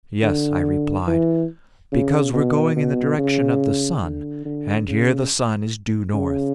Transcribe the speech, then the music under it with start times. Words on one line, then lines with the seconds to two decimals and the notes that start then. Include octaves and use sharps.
"Yes," I replied, "because we're going in the direction of the sun, and here the sun is due north."
0.23 D3
1.07 E3
1.92 C#3
2.33 B2
2.76 B2
3.18 C#3
4.03 D3
4.45 D3
4.88 C#3
6.14 C#3